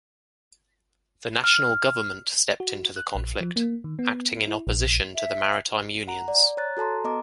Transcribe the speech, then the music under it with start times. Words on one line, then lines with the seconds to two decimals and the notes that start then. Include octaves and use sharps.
The National government stepped into the conflict, acting in opposition to the maritime unions.
1.44 F6
2.60 F#4
2.96 F#6
3.15 A#1
3.41 F3
3.56 A#3
3.84 D#3
3.99 B3
4.48 E4
4.67 A#1
5.14 E5
6.08 F#5 A#5
6.28 D5
6.57 C#5 A#5 F#6 A6
6.77 F#4 A4 A5 A#5 C6
7.04 B3 D#5 A#5 D6